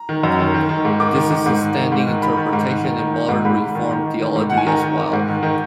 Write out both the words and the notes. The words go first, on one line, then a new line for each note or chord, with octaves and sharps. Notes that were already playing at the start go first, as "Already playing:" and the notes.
This is the standing interpretation in modern Reformed theology as well.
Already playing: A#5
D#3
F#2
D#3
D#3
D#3
G#2
D#3 D6
D#3
D#3
G#2
D#3
D#3
G#2
D#3
D#3 B5
D#3
G#2
D#3
D#3
D#3
D#3
G#2
G#2 B5
G#2
D#3
D#3
D#3
D#3
G#2
D#3 F#5
G#5
D#3 A#5
D#3
D#3
G#2
D#3
D#3